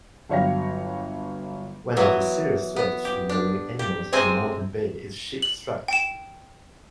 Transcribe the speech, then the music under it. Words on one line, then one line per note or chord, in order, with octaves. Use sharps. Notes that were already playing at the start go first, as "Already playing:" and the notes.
One of serious threats to marine animals in Moreton Bay is ship-strikes.
G1 F#3 C#5 F5 G5 A#6
E3 F#3 B3
B3
G4
D4
G4
C3 G#3 C4 G#4 C5 G#5
F#7
G5 E7